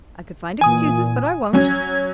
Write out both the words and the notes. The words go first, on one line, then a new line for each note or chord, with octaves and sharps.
I could find excuses, but I won't.
A#2 E3 G#5 D#6
F#3 C#4 G#6